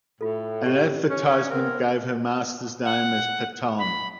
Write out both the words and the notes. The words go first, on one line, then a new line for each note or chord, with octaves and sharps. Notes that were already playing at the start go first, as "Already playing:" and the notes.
An advertisement gave her masters name as Patton.
A2 F4 A4
G4 D#5
C#4
B3 C4 A#4
F#5
B5